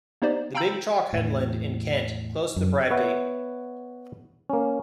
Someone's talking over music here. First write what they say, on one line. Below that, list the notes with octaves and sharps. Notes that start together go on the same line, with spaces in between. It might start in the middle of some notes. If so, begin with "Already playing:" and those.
The big chalk headland in Kent, close to Bradgate.
A#3 B3 D#4 G4 C5 D5
F5 G5 A#5 B5 E6 G6
E2 A2
F#2
B3 B4 C#5 E5 F#5
A#3 C#4